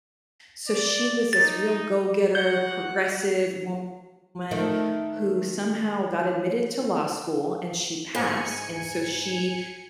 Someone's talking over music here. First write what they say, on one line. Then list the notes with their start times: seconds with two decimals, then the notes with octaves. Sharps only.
So she was this real go-getter, progressive woman who somehow got admitted to law school, and she passed and so she,
0.68 D5
1.33 D#4 A6
2.35 F#4 F#5 G6
4.51 D#3 A3
8.15 G#2 G#5 C#7